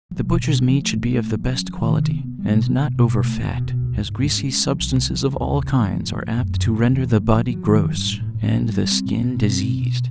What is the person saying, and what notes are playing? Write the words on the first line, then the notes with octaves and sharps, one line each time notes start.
The butchers' meat should be of the best quality, and not over-fat, as greasy substances of all kinds are apt to render the body gross and the skin diseased.
F#3
B2
B2
D4
F3
A3
A#2
A3
A#3
F#3
C#4
F#3
D#3
C3
B3
B3
G3
B2
B3
B2
B2
B2
A3
E2
B2
B2
C#2
C#2
G#2
G#3
C#4
C#4
F3
C2
C3
F3
C#3
D#2
C#3
C#3
F3
F3
A2
A2
F#2
F#2
C#3
C#3
E2
C#3
A3
F3
F#3
D#3
F#3
G2
A2
A2
A2
F#3
G3
G3
C4
A#2
B2
C4
C4
B2
B2